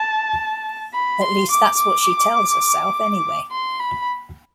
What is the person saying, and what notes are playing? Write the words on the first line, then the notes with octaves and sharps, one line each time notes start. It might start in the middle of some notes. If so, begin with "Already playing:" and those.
At least that's what she tells herself anyway.
Already playing: A5
B5
C6
D6
D6
C6
B5